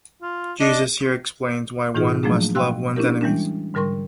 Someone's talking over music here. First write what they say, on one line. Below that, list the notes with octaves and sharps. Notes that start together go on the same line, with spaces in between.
Jesus here explains why one must love one's enemies.
F4
D4 D#5
A2 E3 D#4 F4 G#4
F3 F#3 A3 A#3 D4 G#4
F5 G5 C6 E6 F#6
C#4 D4 E4 G4 A#4
E3 G3 G#3 C#4 D4
G#2 D3 G3 A#4 C6 C#6